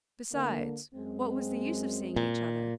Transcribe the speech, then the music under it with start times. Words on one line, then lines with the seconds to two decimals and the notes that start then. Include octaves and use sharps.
Besides, what was the use of seeing each other?
0.33 D3 A#3
0.94 F#2 G#3 C4
2.16 A#2